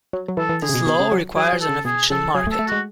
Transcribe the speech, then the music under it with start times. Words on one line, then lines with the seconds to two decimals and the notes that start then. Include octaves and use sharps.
This law requires an efficient market.
0.13 F#3
0.28 F#3
0.37 E3 A4
0.49 E3
0.62 D3 G#4
0.69 C#3
0.74 B2
0.86 B2
0.99 C#3
1.12 F#3
1.36 F#3 G#4
1.53 F#3
1.61 A4
1.69 C#3
1.85 B2 G#4
2.10 C#3 A4
2.34 F#3 G#4
2.47 A3
2.51 A4
2.59 A3
2.68 G#3 F#4